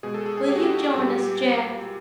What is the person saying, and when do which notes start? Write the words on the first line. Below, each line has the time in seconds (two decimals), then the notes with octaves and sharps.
"Will you join us, Jack?"
0.03 B2 G#3 G#4
0.14 A4
0.26 G#4
0.37 G#4
0.48 G4
0.55 F#4
0.63 G4
0.94 A#2 G3